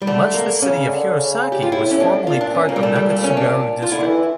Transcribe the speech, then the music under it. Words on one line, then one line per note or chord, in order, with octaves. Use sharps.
Much the city of Hirosaki was formerly part of Nakatsugaru District.
G3
D3 A3
A#3
C#3 C#4
D3
C#3
G4
F4
A2 E4
C#4
D4
A#2 F4
D4
C#4
A#3
G3
A#2 A3
G3
A3
C#4
D4
F4
D3 E4
E3